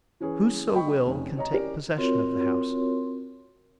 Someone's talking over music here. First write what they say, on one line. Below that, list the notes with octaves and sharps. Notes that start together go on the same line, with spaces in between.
Whoso will can take possession of the house.
E3 C#4 G#4 B4
D#5 G5 B5 C#6
F1 C#4 D#4
C#5 D#5 A#5
C#4 E4 G4 A#4 D5
C4 F4 F#4 A#4 C#5 C6